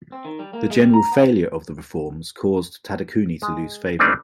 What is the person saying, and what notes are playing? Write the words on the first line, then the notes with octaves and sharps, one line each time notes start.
The general failure of the Reforms caused Tadakuni to lose favor.
C4
D#3
G3
A#3
G#3
G3
A#5
B3
G#3
G3 A3 A#3 C4 D4 D#4